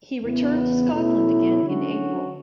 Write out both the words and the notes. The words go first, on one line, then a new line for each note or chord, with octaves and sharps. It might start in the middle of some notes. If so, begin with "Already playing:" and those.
He returned to Scotland again in April.
E2 C#3 E3 B3 E4
B2 A3 C#4 E4
D3 F#3 C#4 F#4